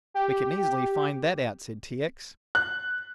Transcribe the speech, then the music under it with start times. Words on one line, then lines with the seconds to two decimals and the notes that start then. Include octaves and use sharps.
"We can easily find that out," said T. X.
0.14 G4
2.55 F#6